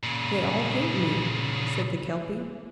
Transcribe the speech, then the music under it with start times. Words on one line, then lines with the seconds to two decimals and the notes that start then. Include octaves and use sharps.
"They all hate me," said the Kelpie.
0.03 A#2 C#3